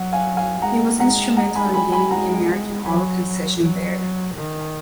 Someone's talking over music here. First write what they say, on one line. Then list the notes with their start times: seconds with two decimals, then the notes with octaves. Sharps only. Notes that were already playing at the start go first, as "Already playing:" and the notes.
He was instrumental in gaining the American oil concession there.
Already playing: F#3 F#5
0.12 F5 G#5
0.37 F5 G#5
0.62 G#3 F#5 A#5
1.00 G#3 F#5 A#5
1.36 F#5 A#5
1.55 G#5 B5
1.74 G#5 B5
1.92 G#5 B5
2.11 G#3 F#5 A#5
2.86 F#3 G#5 B5
3.60 F#3
4.35 D#3